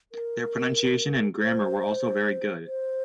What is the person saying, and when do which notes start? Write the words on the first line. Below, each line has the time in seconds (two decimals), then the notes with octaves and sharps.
Their pronunciation and grammar were also very good.
0.12 A#4
1.40 C5
2.66 C5